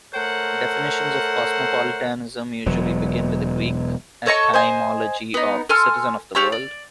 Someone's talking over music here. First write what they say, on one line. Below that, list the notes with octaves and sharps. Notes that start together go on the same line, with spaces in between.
Definitions of cosmopolitanism usually begin with the Greek etymology of "citizen of the world".
A3 A4 A#4 C5 C#5 F#5
E1 F#3
A4 C#5 D#5 C#6
C5 D#5 G#5
B3 D#4
A4 G#5 C6 F6
F4 G4 C#5 E6
D5